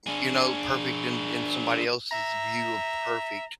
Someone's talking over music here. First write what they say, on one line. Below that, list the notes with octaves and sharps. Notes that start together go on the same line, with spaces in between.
you know, perfect in in somebody else's view of perfect,
D4 G#4
E5 A#5